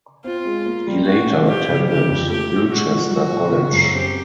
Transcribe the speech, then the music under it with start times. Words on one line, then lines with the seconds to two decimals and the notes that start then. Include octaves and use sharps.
He later attended Ilchester College.
0.24 C4 F4
0.45 G#3
0.66 A#3
0.87 G3
1.06 A3 F#4
1.27 E3
1.47 E3 G4
1.68 C#3
1.88 D3 G4
2.09 F2
2.29 A3 G4
2.50 F3
2.70 G#3 F#4
2.91 F3
3.11 F#3 F#4
3.32 A#2
3.52 C#3
3.72 F#2
3.93 C4 G4